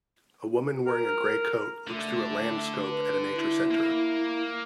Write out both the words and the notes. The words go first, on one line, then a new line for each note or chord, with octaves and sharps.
A woman wearing a gray coat looks through a Landscope at a nature center.
A#4
D3 A3
B4
E4
A#3